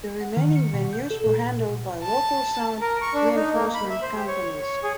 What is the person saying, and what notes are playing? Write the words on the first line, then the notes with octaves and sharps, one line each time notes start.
The remaining venues were handled by local sound reinforcement companies.
F#5
D#3
C#7
B2
G6
A4
A#2
B2
A5
A#4
C#6
D4
D#4
A#3
B5
E5
C5
G4
C#5
C#5
G#4